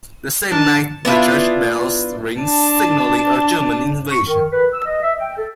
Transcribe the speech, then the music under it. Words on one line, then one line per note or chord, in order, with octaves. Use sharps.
The same night the church bells ring signalling a German invasion.
D4 A#4 A5
B3 D4 E4 F4
D4 A5
C#6
D#3
B4
E6
D#5
E5
G5
A4